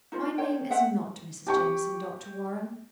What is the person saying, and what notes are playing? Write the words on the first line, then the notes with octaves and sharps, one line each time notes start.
My name is not Mrs. Jameson, Dr. Warren.
D#4 F4 C5
C5 C#5 G5
C5 E5 F#5 G5
G4 G5 C#6